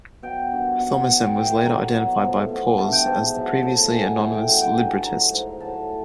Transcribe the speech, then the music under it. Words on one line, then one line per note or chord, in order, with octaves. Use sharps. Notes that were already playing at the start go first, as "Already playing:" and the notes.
Thommessen was later identified by Paus as the previously anonymous librettist.
B2 F#3 G5
G2 D#3 F#3
B2 F#3 F#5
F5
B2 F#3 F#5
G5
A2 E3 G5
F#2 D#3 F#3 A#5
B2 F#3
A2 F3
B2 F#3
G2 E3 A5
G5
G#2 E3 A5
B2 F#3
A2 F3 A5
G#2 D#3 F#3 G#5
A2 E3 G#5
G5
F#2 C#3 F#3 F#5
G5
G2 D#3 F#3 G#5
A5
A2 F#3 A#5
G#2 F3
A2 F#3 A5